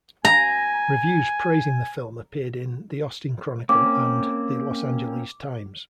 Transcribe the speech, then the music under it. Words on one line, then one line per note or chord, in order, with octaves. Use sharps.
Reviews praising the film appeared in "The Austin Chronicle" and "The Los Angeles Times".
G#5 A#5
A#3 C4 C#4 D6